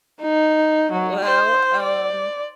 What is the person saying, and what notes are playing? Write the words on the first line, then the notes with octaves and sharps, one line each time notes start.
Well, um
D#4
F#3
C5
D5